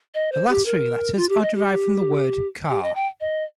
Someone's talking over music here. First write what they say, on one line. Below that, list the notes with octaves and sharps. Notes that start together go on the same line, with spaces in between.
The last three letters are derived from the word "car".
D#5
C5
G4
A#4
F4
G4
D#5
G4
G4
D#5
G5
D#5